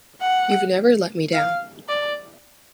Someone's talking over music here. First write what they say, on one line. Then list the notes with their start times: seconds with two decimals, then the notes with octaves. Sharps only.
You’ve never let me down.
0.21 F#5
1.33 F5
1.89 D5